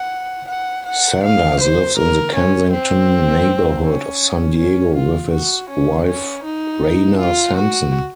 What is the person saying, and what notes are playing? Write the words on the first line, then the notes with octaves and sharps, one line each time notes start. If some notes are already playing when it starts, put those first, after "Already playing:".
Sanders lives in the Kensington neighborhood of San Diego with his wife Rana Sampson.
Already playing: F#5
F#5
F#5
F5
C5
A#4
C#4
C4
C#4
C#4
F4
F#4
C#4
C#4
D#4
F4
F#4